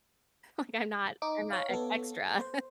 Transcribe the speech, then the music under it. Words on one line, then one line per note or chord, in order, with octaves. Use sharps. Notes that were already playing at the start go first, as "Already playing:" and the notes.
like, I'm not I'm not ex extra,
D#4 D6
C#5 F5
B3 A4
C5